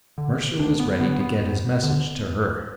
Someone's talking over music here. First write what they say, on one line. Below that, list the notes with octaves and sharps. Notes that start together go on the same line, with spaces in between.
Mercer was ready to get his message to her.
D3
D2 D4
B3
D3 B3
B3
F#2
D3